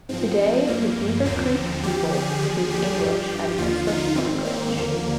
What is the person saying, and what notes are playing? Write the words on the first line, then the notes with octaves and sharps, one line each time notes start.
Today the Beaver Creek people speak English as their first language.
G#2 F3 C4
G2 F3 A#3
D#2 D3 F3 C4
F2 D3 F3 G4
G#4
D#2 D3 F3
G4
G2 F3
G4
D#2 D3 F3 F4
D#4
G#2 D#3 C4
A#3
D#2 D3 F3